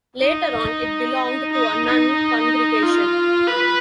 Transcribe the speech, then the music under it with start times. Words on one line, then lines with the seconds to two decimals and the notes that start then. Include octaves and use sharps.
Later on, it belonged to a nun congregation.
0.22 D#4
1.53 D#4
1.85 D#4
2.83 F4
3.48 B4